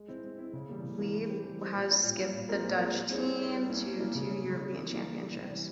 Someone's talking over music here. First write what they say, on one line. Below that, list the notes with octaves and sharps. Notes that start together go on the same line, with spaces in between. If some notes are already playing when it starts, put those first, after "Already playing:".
Wiebe has skipped the Dutch team to two European championships.
Already playing: G#3
C4 E4
G#3
C4 E4
C#3
E3 G3 A#3
C#3
E3 G3 A#3
E3
G3 C4 G4 C5
E3
G3 C4 G4 C5
A#2
G3 C#4
A#2
G3 C#4
A#2
G#3 C4 F4 A#4
A#2
G#3 C4 F4 A#4
G3
C4 E4 G#4 C#5
G3
C4 E4 G#4 C#5
G3
A#3 C#4 E4
G3
A#3 C#4 E4
C#3
G3 C#4
C#3
G3 C#4
E3
G3 A#3 E4
E3
G3 A#3 E4
C3
E3 G3 C#4